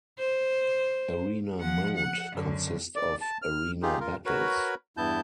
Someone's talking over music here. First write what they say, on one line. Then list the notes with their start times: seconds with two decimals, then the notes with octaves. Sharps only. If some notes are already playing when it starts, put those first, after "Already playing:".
Arena Mode consist of arena battles.
0.18 C5
1.59 F3 F#5
1.97 F#5
2.34 F#2 D3
2.96 D5
3.21 A5
3.42 F6
3.82 D#4 F4 G4 G#4
4.00 F4 A#4
4.26 F#4 A#4 B4 C#5 B5
4.97 E2 G2 B3 E4 A5 G6